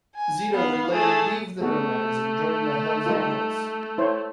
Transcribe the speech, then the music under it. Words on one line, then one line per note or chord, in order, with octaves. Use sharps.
Zito would later leave the Nomads and join the Hells Angels.
G#5
B3 F5
A3 G#4
A3 B3 F#4 G#4
G3 D#4 F4
E4 C5 C#5